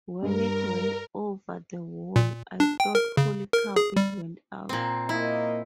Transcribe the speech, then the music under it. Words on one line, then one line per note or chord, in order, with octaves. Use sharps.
When it went over the wall, I thought, 'Holy cow, it went out.
G2 A#4
A#2
D4
G5
A#4
C#3
A#4
G#4
G3
A#2 C4
A#3 E4 D#5